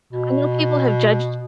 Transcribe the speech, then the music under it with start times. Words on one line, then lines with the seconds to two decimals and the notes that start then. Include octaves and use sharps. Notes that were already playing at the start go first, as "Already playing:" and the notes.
I know people have judged
0.13 B2